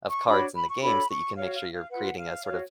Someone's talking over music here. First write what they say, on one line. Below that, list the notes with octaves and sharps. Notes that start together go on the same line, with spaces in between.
of cards in the game so that you can make sure you're creating a sort of
C#6
D4 F#4 C#5 B5
B5
C#6
D4 F#4 A4 C#5 B5
C#6
F#4 C#5 F5
F5
F5
F4 B4 F#5
F5
F#4 C#5 F5